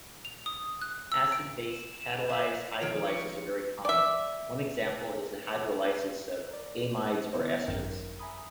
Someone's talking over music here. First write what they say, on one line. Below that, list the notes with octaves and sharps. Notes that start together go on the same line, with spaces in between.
Acid-base-catalysed hydrolyses are very common; one example is the hydrolysis of amides or esters.
F7
D#6
F#6
E6
D7
E7
B4 C5 E5
D#3 F3 C#5 D7
C#6
D5 E5
A#4 D5
D3 B3 E4 C5 D#5
G#1 F#2 D#3 A#4 F#5 G5
E5 G#5 A#5 B5 D#6